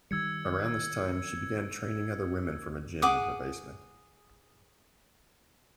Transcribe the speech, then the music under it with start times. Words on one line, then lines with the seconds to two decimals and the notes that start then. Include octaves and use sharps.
Around this time she began training other women from a gym in her basement.
0.11 D#3 G3 E6 G#6 C#7
3.02 G#4 F#5 D6 D#6